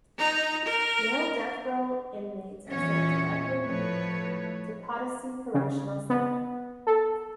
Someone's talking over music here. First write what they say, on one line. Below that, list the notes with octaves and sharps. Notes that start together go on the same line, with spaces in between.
Male death row inmates are sent directly to Potosi Correctional Center.
D#4 A#5
A#4
E2 A#2 C#4 C#5 E5
A2 F3 A3 B4 C#5
C#3
B3
A4